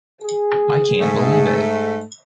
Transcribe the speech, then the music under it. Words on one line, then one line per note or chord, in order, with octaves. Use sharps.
I can’t believe it!
G#4
G#2 A3